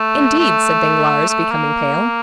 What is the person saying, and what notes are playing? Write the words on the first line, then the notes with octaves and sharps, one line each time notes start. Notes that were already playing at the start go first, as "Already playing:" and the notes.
"Indeed?" said Danglars, becoming pale.
Already playing: A3
A3
A3
A#3